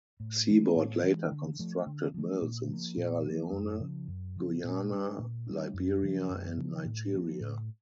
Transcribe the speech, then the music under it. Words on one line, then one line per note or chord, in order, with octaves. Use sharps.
Seaboard later constructed mills in Sierra Leone, Guyana, Liberia and Nigeria.
A2
E3 G#3
A2
E3 G#3
D3
F3 A3
D3
F3 A3
A#2
F3 A#3
A#2
F3 A#3
F#2
C#3 F3
F#2
C#3 F3
A#2
G3 B3 D4
A#2
G3 B3 D4
F#2
C#3 F3
F#2
C#3 F3
A2
F3 A#3
A2